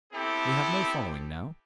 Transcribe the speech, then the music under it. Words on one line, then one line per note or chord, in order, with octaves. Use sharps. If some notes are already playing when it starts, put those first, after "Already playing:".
We have no following--now.
B3 C4 E4 G4 A4